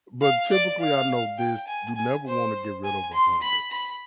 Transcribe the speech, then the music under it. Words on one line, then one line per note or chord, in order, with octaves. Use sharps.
But, typically, I know this, you never wanna get rid of a Honda.
F5
D5
F5
G5
G#5
G#5
C5
G#5
C6
B5
B5